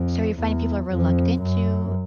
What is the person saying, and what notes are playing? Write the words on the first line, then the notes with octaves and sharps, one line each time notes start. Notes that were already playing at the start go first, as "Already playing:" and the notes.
So, you're finding people are reluctant to
Already playing: F2
E2
F2
F#2